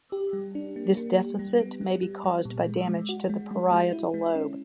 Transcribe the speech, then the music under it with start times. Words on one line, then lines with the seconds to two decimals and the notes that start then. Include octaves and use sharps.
This deficit may be caused by damage to the parietal lobe.
0.12 G4
0.33 G3
0.55 D4
0.76 A#3
0.97 A#3
1.18 G4
1.39 G3
1.60 B3
1.81 G3
2.03 G3
2.24 G3
2.45 A#2
2.66 G#3
2.88 G#3
3.09 F#4
3.29 G#3
3.51 G#3
3.71 G#3
3.92 E4
4.14 G#3
4.35 C#4